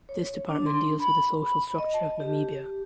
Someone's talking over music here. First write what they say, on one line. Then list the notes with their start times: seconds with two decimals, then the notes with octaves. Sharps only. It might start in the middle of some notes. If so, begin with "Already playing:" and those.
This department deals with the social structure of Namibia.
0.09 C#5
0.49 D4
0.66 C6
1.00 B5
1.79 D#5
1.94 A5
2.20 G4